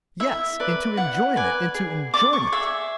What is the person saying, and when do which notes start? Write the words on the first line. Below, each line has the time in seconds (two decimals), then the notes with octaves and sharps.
Yes, into enjoyment, into enjoyment!
0.20 E4 E5
0.60 B4 D5
0.97 E4 F#5
1.36 B4 D5 G#5
1.75 G#4
2.14 D5 D6
2.33 C#6
2.52 G#4 E5